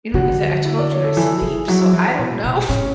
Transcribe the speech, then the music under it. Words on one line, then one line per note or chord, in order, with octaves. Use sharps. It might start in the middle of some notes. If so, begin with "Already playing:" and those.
You know, like I said, I told you I sleep, so I don't know.
D3 F#4
E4
D5
C#5
A4
E3 A4
E3 G#4
F#3 E4
E3
B2
B2
A2 C#4